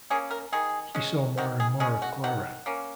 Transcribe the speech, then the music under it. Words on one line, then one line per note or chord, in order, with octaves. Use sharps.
He saw more and more of Clara.
A#3 C#4 G#4
A#4
D#3 G#4
G#3 C#4
D#3 F#4
G#4
G#3 C#4 G#4
F#4
D#3 F#5
A#3 C#4